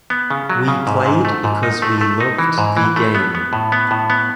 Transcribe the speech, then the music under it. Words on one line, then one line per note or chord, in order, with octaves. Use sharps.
We played because we loved the game.
B3
C#3
F#3
C#3
G#2
G#2
A3
G#2
D#4
A3
A3
D#4
E3
G#2
E3
A3
B3
B3
A2
B3
A2
B3